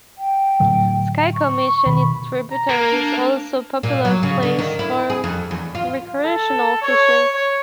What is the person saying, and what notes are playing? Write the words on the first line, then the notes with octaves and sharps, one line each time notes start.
Skykomish and its tributaries also popular place for recreational fishing.
G5
A2 D3 F#3
C#6
B2 D#3 B5
A#5
A#3
D4
A#2
F#3
C#3
D3
D#3
E4
G#4
F2
E2
F4
A4
C#5
C#5